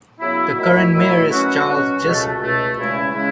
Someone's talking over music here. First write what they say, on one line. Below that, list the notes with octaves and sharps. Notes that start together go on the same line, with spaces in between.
The current mayor is Charles Jessup.
C#3 F#3 B3 E4
D#3 F#3 A3 E4
D#3 F#3 A3 E4
B2 F#3 C#4 F#4
B2 F#3 C#4 F#4
C#2 B2 A3
C#2 B2 A3
E2 C#3 G#3 C#4 E4
C#3 G#3 C#4 E4